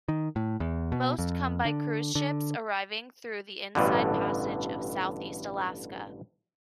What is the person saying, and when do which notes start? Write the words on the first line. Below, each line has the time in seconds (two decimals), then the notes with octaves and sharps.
Most come by cruise ships arriving through the Inside Passage of Southeast Alaska.
0.08 D#3
0.36 A2
0.60 E2
0.92 B2
1.18 F2
1.65 D3
2.15 D3
3.75 A1 G2 B2 D3